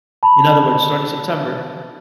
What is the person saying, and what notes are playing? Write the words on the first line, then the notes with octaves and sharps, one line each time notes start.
in other words, starting September,
A5 B5